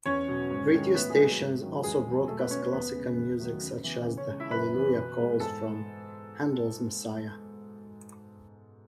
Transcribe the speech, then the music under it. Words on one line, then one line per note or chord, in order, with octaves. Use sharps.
Radio stations also broadcast classical music, such as the "Hallelujah" chorus from Handel's "Messiah".
E2 C#4 C#5
B2 F#3
G#2
D#3 G#3
A2 B3 B4
G#3 G#4
F#3 B3
G#2
D#3 F#3 C#4
E2 G#3 G#4
B2 F#3 B3
B2 A3 A4
B3 B4
A3 C#4 C#5
C#4 C#5
E2 B3 B4
C#3 G#3
E2
D#3 F#3 A3
C#3
E3 B3
C#3
C#4 C#5
G#3 C#4
E4 E5
F#2 B4 B5
E3 B3
B2
G#3 B3
G#2 A4 A5